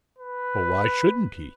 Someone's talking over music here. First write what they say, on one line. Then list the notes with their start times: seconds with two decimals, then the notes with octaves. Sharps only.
"Why shouldn't he?"
0.18 B4